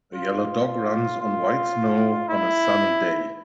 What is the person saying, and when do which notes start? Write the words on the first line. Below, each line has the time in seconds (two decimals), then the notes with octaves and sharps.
A yellow dog runs on white snow on a sunny day.
0.15 F4
1.21 F4
2.29 E4